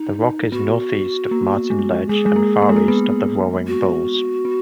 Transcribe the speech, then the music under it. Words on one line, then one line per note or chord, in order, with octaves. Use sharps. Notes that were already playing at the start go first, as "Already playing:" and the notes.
The rock is northeast of Martin Ledge and far east of the Roaring Bulls.
Already playing: D#4
B3 F#4
A#3
G#3
G#3 G#4
G#3
A#3
A#3
G#3
A#3
B3
F#4
B3